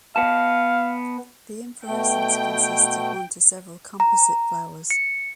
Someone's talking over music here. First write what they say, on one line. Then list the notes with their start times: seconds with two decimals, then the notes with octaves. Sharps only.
The inflorescence consists of one to several composite flowers.
0.16 B3 F5 A5
1.87 B2 A3 G5
4.00 A#5
4.90 C#7